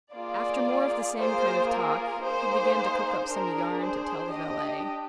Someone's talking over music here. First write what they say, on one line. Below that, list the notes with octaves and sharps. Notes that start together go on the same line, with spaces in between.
After more of the same kind of talk, he began to cook up some yarn to tell the valet.
A#3 F4 G#4 D5
A#3 F4 G#4 C5
A#4
A#3 D#4 G#4 C5
D4 G#4 A#4
C5
D4 G4 D#5